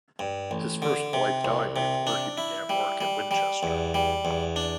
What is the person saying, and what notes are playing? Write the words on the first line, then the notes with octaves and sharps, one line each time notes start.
His first wife died before he began work at Winchester.
G2
A1
D3
C3
C2
C3
D4
E4
G3
G3
G3
E2
G3
E2
D4